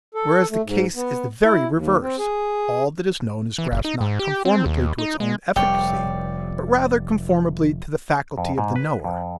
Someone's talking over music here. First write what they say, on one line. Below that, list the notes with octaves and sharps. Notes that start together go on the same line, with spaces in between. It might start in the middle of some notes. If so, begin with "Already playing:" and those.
Whereas the case is the very reverse: all that is known is grasped not conformably to its own efficacy, but rather conformably to the faculty of the knower.
A4
A3
G#2
B3
E4
D#2
C4
G#4
E3
F#1
D#4
G#2
G4
C4
D#2
D#4
G#3
F1 G3 C#5 D5 G5
F2
G#2
B4
F2